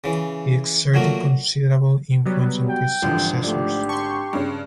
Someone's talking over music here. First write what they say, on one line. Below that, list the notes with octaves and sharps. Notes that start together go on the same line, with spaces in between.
He exerted considerable influence on his successors.
C#3 E3
A#2 F#3 A3 A#3
F#3 G3 B3
G5
G#1 D3 E3 F3 G3
A3 G4 D5
A5 C6 C#6
G2 C#3